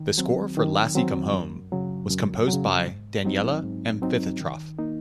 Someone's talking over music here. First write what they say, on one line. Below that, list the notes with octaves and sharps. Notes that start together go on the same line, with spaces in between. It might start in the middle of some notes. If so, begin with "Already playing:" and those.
The score for "Lassie Come Home" was composed by Daniele Amfitheatrof.
Already playing: D#3
F#3 C4
D#3
F#3 C4
F#2
C#3 F#3
F#2
C#3 F#3
G#2
F#3 C4 D#4
G#2
F#3 C4 D#4
D#3
A#3 D#4